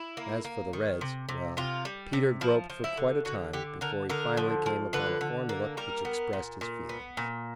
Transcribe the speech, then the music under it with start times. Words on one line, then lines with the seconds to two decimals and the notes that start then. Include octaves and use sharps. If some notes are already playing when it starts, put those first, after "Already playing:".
As for the Reds--well, Peter groped for quite a time before he finally came upon a formula which expressed his feelings.
Already playing: E4
0.17 A#3
0.45 A#3
0.73 D#3
1.01 C3
1.29 C3
1.57 C3 F4
1.85 G3
2.13 C3
2.41 F3 E4
2.70 F3
2.84 E4
2.97 D3
3.25 D3 F#4
3.53 D3 G4
3.81 D3 A#4
4.10 D3 A#4
4.37 F3
4.66 F3
4.93 D3 B4
5.21 D3
5.49 A#3
5.77 G3 A#4
6.05 B3
6.33 A#2
6.61 A#2
6.89 B3
7.17 A#2